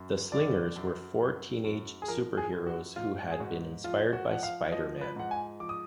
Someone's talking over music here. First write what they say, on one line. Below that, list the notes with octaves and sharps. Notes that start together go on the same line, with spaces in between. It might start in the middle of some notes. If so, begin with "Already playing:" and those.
The Slingers were four teenage superheroes who had been inspired by Spider-Man.
Already playing: F#2
F#2 D5
F#2
F#2
F#2
G#4
F3 A#4
G#4
F#2
F#4
G#2 F4
G#4
G#2 F#4
F3 F4
F#4
F3 F#5
F5
F3 D#5
B4
G#2 F#5
G#5
F3 D6
D#6